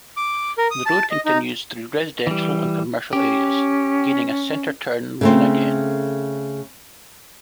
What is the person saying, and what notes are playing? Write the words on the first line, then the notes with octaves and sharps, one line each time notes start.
The road continues through residential and commercial areas, gaining a center turn lane again.
D6
A#4
D#6
A5
D#5
D#4
E3 G3
C#4 G4
C#3 A3 C4